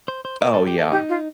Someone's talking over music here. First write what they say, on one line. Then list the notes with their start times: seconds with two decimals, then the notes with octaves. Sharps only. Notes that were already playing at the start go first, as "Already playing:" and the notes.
Oh, yeah.
0.08 C5
0.25 C5
0.41 A#4
0.54 A4
0.67 G4
0.79 A4
0.92 D#4 G4
1.09 F4